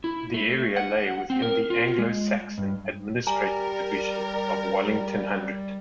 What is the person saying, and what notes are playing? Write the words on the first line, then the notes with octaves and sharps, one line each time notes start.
The area lay within the Anglo-Saxon administrative division of Wallington hundred.
E4
A3
F#5
C4
A#4
F4
G#3
G2
G3 A#4 D5 G#5 A#5